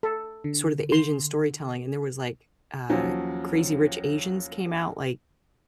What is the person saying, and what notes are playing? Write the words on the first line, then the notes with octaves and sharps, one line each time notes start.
sort of the Asian storytelling, and there was, like, uh, Crazy Rich Asians came out, like,
A4
D3
C6
D#2 F3 F#3 C#4